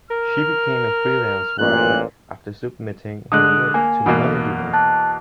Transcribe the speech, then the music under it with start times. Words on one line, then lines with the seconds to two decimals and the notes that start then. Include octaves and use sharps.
She became a freelance writer after submitting her work to "Melody Maker".
0.11 A#4 F6
1.59 A1 A#2 F#6
3.32 D3 G#3 D#6 F#6
3.74 A#3 G#5
4.06 E2 B2 A#3 D#4
4.73 A5 F#6